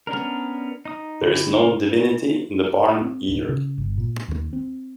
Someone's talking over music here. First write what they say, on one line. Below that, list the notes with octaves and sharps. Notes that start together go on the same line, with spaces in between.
There is no divinity in the barn, either.
B3 C#4 D4 A#4
D#4 D#6
D3 E4 G4 D5
C#3 F4 A#4
C4
D1
C#3
G1
A#2
D#2
C4